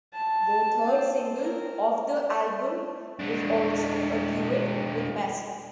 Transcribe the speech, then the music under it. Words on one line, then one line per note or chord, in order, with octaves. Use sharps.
The third single off the album was also a duet with Massey.
A5
C4
A#4
G#3 D4